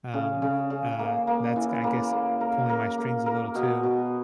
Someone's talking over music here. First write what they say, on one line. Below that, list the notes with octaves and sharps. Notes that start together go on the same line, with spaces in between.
um, uh, that's, g I guess, pulling my strings a little too.
C#3
C#3
C#3
A#3
A#3
E3
A#3
A#3
A#4
A#4
A#3
A#4
B2
B2